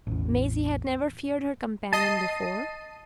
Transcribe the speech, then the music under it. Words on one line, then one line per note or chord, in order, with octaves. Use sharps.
Maisie had never feared her companion before.
A1 E2
D#5 A5 C7 D#7